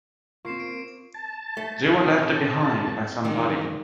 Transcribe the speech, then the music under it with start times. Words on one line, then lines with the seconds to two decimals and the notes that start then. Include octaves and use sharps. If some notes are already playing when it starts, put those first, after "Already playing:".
They were left behind by somebody.
0.45 A#3 C4 F4 C#6 C7 E7
0.60 D7
1.14 A5
1.57 A3
1.94 C4 G#4 C#5
3.25 C3 D#3 E3 G#3